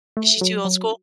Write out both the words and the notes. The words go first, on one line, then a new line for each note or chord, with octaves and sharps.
Is she too old school?
A3
F#3
F#3